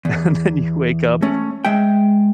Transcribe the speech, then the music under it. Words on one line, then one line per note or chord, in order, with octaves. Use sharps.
and then you wake up,
E2
A3 C#4
G#3 E5 G5